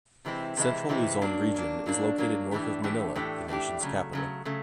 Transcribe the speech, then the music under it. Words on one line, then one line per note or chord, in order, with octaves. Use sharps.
Central Luzon Region is located north of Manila, the nation's capital.
C3 E3 G#3 C4 E4
C3 E3 G#3 C4 E4
C3 E3 G#3 C4 E4
F#3 A#3 D4
F#3 A#3 D4
F#3 A#3 D4
F#3 A#3 D4
A2 E3 A3 D4 G4
A2 E3 A3 D4 G4
A2 E3 A3 D4 G4
A2 E3 A3 D4 G4
C#3 F#3 A3
C#3 F#3 A3
C#3 F#3 A3